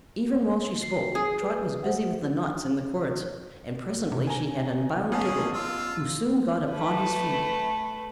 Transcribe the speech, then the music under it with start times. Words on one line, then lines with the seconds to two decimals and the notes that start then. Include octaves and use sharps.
Even while she spoke Trot was busy with the knots in the cords, and presently she had unbound Tiggle, who soon got upon his feet.
0.82 C7
1.15 G#4
1.42 B4
1.83 C5 E5 F#5
4.12 C3
4.27 G#5 A#5
5.12 A1 B3 C#4 G#4 F5 A5
5.53 F4 E6
6.72 A3 B4